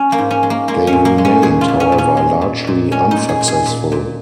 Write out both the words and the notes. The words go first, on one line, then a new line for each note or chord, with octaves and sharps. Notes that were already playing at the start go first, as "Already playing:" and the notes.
They remained, however, largely unsuccessful.
Already playing: C#4
A#3
G#2
C#4
G#3
A#3
G#3 A#3
C#4
A#2
A#3
G#3
C#4
A#2 G#4
F4
A#2
C#4
A#2
C#4
G#3
A#2
A#2
G#3 C#4
D#4
A#2
G#4
A#2
G#4
A#2
A#2